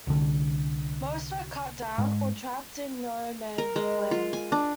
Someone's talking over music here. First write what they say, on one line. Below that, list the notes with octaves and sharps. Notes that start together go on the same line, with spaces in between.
Most were cut down or trapped in no man's land.
C2 D3
G#2
A#4
G#3
F4
G#5
D4